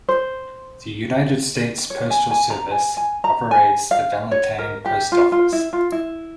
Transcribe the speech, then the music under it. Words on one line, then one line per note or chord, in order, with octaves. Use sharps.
The United States Postal Service operates the Valentine Post Office.
C5
C#5
G#5
G#5
A#5
G#5
G#5
A#5
G#5
F5
C#5
A#4
G4
F4
F4
E4
F4
E4